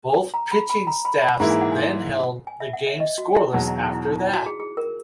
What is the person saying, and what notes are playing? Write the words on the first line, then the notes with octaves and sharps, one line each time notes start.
Both pitching staffs then held the game scoreless after that.
A#5
B5
B5
A#5
B5
B5
G#2 E3 A#3 E4 A#5
G#5
F#5
G#5
G#5
E5
F#5
E5
D#5
F#4
E4
E2 B2 F#3 D#4
E4
D#4
E4
D#4
E4
F#4
G#4
G#4
A#4